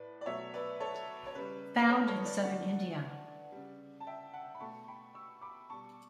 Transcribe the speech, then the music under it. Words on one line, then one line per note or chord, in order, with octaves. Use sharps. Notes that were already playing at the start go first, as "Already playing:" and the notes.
Found in southern India.
Already playing: A2 B4 D5
D5
B2 F#3 A3 C#5 E5
B4 D5
A4 C#5
C#5
C#3 G3 B4
B4
A4 C#5
B4
A4 C#5
C#5
B4 D5
D3 A3 D5 F#5
C#3 G3
A5
E5 G5
F#5 A5
B5
B2 A3 A5 C#6
G5 B5
C#6 E6
B5 D6
B2 G3 A5 C#6